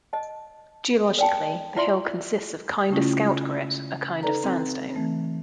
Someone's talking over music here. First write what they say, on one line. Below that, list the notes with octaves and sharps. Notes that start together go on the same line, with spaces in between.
Geologically, the hill consists of Kinder Scout Grit, a kind of sandstone.
D#5 A5
D5 G5 A5
E4 F4 D5 E5 C6
C#3 A3 C#4 E4 F4
D#4 A4 B4 D5 A#5
C4
E3 A3 C4